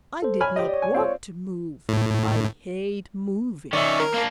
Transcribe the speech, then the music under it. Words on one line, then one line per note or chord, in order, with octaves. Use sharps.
'I did not want to move--I hate moving.
A4 C5
C#5 G#5 B5 F6
G4 D#5
C#5 D5
G#5
C4 F4
A2
D#3 C#4 D5 E5
A#4
A#3 D4